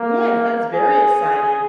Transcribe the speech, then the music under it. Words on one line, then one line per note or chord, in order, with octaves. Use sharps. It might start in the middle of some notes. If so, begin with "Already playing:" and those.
Yes, that was very exciting,
Already playing: A#3
G#4